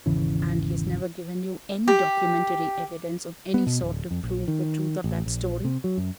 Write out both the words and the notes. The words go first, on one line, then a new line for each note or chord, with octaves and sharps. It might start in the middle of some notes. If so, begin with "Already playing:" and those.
"And he's never given you any documentary evidence of any sort to prove the truth of that story?"
G#1 E2 C#3 E3
G4
B3
B2
D1
F2
A#1
D#3
A1
A#1
C3
F#3
F#2